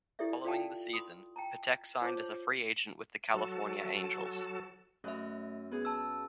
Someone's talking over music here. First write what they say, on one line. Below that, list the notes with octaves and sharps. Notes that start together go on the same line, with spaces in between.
Following the season, Patek signed as a free agent with the California Angels.
E4 G4 A4 D5 E5
F4 A4 D5 F5 G5 A5
B5 C6 D#6
G5 A5 A#5
F4 C5 C#5 F#5 A5 D6
C#5
F#3 F#4 A4 A5
F#2 A3 E5
B3 G#4
A5 E6